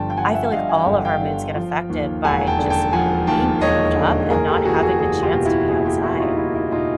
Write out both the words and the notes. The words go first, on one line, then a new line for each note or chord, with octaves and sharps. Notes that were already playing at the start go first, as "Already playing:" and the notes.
I feel like all of our moods get affected by just being cooped up and not having the chance to be outside.
Already playing: G1 G2 D3 F3 G5 A5
G5
F3 F#5 G#5
E5 F#5
G2 D#5 F5
G#5
G1 G5
F#5
F5 G5
D3
F3
D#2
E1 F#5 G#5
G5 A5
D3
G5 A5
F3 F#5 G#5
D#2 G5 A5
E1 C#5 D#5
D3
F#1 G#4 A#4
G4 A4
E2 F#4 G#4
F#4 G#4
F#1 F#4 G#4
F4 G4
B2
E4 F#4
F#1 F#4 G#4
F4 G4
E2 E4 F#4
D#4 F4
F#1 E4
E4
B2 D#4 F4